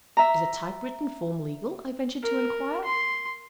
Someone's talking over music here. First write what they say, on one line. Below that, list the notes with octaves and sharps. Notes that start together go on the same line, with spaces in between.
'Is a typewritten form legal?' I ventured to inquire.
E5 A#5
A#4
C6